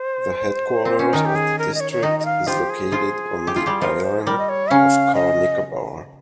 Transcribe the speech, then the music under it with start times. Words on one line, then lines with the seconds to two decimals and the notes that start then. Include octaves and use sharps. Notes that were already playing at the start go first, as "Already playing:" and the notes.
The headquarters of the district is located on the island of Car Nicobar.
Already playing: C5
0.85 C4
0.99 C#4
1.13 D#3 D#4 A#4
1.25 G4
1.35 G#4
1.59 A#4
1.74 D#5
1.80 C#5
1.92 C#5
2.03 D#3 D#4 D#5
2.20 D#5
2.25 F5
2.47 F3 F4 G4
2.70 G#4
2.92 F3 F4
3.47 G4
3.56 F4
3.66 G3 G4
3.81 F3 F4 A#4
4.04 C5
4.21 G#4
4.27 G3 A#4
4.38 D#5
4.49 C#5
4.70 C#3 C#4 F5
5.15 D#5